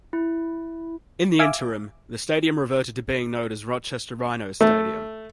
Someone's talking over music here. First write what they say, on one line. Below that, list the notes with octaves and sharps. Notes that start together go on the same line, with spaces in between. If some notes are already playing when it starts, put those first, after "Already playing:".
In the interim, the stadium reverted to being known as Rochester Rhinos Stadium.
E4
E5 F5 G#5 D6
A3